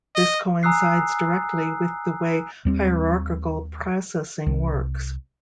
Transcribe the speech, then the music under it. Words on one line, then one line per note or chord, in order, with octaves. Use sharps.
This coincides directly with the way hierarchical processing works.
D#5
G#5 A#5 D#6 E6 F#6 C7
D#2 G3 C4
C2